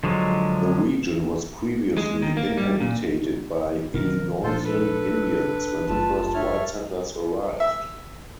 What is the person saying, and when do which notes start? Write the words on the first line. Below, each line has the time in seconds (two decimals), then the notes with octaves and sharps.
The region was previously inhabited by Illinoisan Indians when the first white settlers arrived.
0.04 D3 F3 F#3 G#3
1.98 G#3
2.22 D#3
2.37 A#3
2.57 G3
2.80 A#2
3.94 B2 D#3 F3 A#4
4.43 A#2 F3 D4 F4 A4 C5
4.65 A4 B4
5.88 F#1 A3 F4 A5
6.34 A4 C#5 E5 F6
7.60 E5